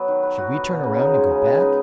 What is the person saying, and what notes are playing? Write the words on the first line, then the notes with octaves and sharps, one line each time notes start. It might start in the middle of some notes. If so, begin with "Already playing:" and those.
Should we turn around and go back?
Already playing: F#3 B3 F#4
D#3
B4
F#4
B3
B2
C#3
D#4
G#3
C#3
B4
D#4